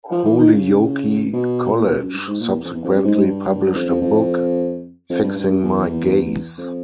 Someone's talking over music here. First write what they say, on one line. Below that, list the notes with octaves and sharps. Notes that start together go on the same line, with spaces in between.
Holyoke College, subsequently published a book, Fixing My Gaze.
F3
E3
D#3
C#3
B2
A#2
B2
F#2
G2
G#2
A#2
E2
F2
E2
F2
F#2
G#2
G#2
G2
F2
F2
F2
F2
G2
G2
F#2
E2
F2